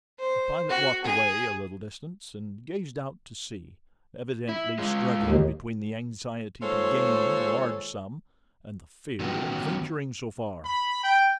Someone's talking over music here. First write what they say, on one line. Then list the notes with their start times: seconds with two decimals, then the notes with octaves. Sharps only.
The pilot walked away a little distance, and gazed out to sea, evidently struggling between the anxiety to gain a large sum and the fear of venturing so far.
0.19 C5
0.70 F#4
1.05 G#4
4.49 E4
4.79 G#3 F4
5.23 D#2
6.62 D#2 G#3 F4 A4 C5 C#5
9.20 D#3 F#3 B3 C#4 F#4 G4
10.65 B5
11.04 G5